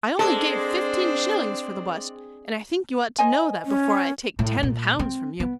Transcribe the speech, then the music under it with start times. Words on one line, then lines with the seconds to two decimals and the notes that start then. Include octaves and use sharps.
I only gave fifteen shillings for the bust, and I think you ought to know that before I take ten pounds from you.
0.19 G#3 C4 D4 A4 C5 D5
3.19 C5 D#5 G#5
3.66 C#4
4.39 A2
4.63 A#2
4.99 C4
5.40 B3